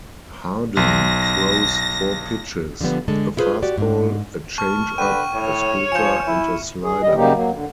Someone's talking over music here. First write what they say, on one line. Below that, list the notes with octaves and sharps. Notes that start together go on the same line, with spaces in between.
Harden throws four pitches, a fastball a changeup, a splitter, and a slider.
B1 A#6
D3 F3 G3 B3
D3 G#3 A4
E4 F4 G#4 B4 C5
F#4 G4 D5
G#2 D4
A5 C#6 F6
D3 B4 G5 C#6 D#7
A2 C#5
F3 G#5 G6 C#7 E7
E4
G#4
G3 D#5
C#3 F#3 G3 A#3 D#4 G4
F#3 A#3
D3